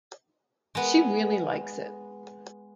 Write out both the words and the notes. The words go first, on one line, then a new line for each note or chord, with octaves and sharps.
She really likes it.
G#3 B3